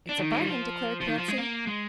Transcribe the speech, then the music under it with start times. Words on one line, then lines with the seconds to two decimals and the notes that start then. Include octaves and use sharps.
"It's a bargain," declared Patsy.
0.09 D4
0.18 D#3
0.31 G#3
0.39 G3
0.48 F3
1.01 F3
1.07 D#3
1.18 F3
1.28 G#3
1.38 A#3
1.67 G#3